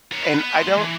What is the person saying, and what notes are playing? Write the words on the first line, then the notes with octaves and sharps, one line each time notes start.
and I don't
A#4 C#5
B3 B4
A3 C6
E3